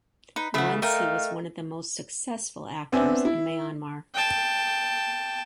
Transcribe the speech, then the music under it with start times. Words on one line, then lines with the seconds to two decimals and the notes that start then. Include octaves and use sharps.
Once he was one of the most successful actors in Myanmar.
0.36 D#4 B4
0.54 C#3 E3 A3 F#5 B5
0.82 A3 A#4 D#5 F5 G5
2.92 B3 C4 D4 E5 G#5
3.25 E4
4.15 G5 A5